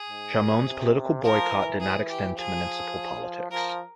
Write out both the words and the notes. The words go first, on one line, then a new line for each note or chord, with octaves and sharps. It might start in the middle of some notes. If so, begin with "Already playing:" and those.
Chamoun's political boycott did not extend to municipal politics.
Already playing: G#4
G#2
A#2
C3
F3 A#4
E3
E3 G#4
G4
F3 G#4
F3 A#4